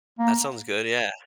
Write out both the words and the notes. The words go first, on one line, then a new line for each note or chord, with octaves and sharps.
That sounds good, yeah.
A#3